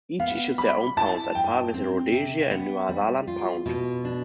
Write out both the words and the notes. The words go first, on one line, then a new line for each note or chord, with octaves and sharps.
Each issued their own pounds, at par with the Rhodesia and Nyasaland pound.
B3 F5
G3 B5
E4 A5
G2 G5
C4
C3
B3
G3
F4
B2
D4